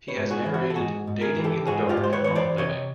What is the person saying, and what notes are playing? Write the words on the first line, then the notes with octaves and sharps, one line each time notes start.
He has narrated "Dating in the Dark" on Living.
B4 C#5
G#2
F#4 G#4
E3
E4 F#4
A4
G#2 F#4 G#4
G#2
G#4 A#4
E3
G4 A4
G#2 F#4 G#4
F4 G4
G#2
C5
B4 C#5
E3 C#5
C5 D5
C3 C#5 D#5